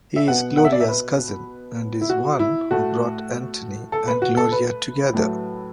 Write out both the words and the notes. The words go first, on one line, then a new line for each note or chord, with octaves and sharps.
He is Gloria's cousin and is the one who brought Anthony and Gloria together.
E5
B2 B3 F#5
F#5
E5
D5
E5
B4
E4
F#4
E4
A2 A3 F#4
A4
B4
F#4
A4
B4
A2 F#3 A3